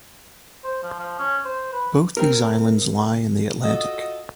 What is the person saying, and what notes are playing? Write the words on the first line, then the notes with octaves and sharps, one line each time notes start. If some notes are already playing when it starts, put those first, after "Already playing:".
Both these islands lie in the Atlantic.
C5
F3
F3
C#4
C5
B4
C4 A#4
F4 F#4 A4 D#5